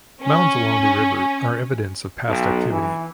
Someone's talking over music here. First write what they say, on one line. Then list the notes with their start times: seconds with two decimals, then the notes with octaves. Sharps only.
Mounds along the river are evidence of past activity.
0.21 C#4
2.29 B1
2.70 E3